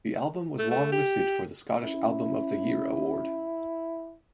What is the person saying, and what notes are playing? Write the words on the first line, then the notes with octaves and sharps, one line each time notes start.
The album was longlisted for the Scottish Album of the Year Award.
A3
A3
G4
C#4 E4